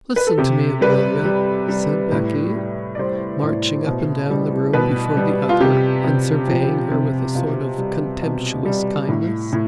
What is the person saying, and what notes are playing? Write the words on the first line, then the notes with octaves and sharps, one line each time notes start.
"Listen to me, Amelia," said Becky, marching up and down the room before the other and surveying her with a sort of contemptuous kindness.
B4
A4
C3 G4
G3 B4
G3
G3
A2
G3
D5
G3 C5
A2
B2
G3
B2 B4
G3
F4
C3 G4
C3
F3
C3
B2 F4
G3
B2
G3
A2
A2